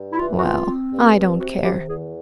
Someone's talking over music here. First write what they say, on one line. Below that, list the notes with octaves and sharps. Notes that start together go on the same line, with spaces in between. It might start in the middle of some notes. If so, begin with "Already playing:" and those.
Well, I don't care.
Already playing: G2
E4
E3 F4
F#4
C4 F4
C4
G2
C4
C3 F#4
D#3 G4
E2 G#4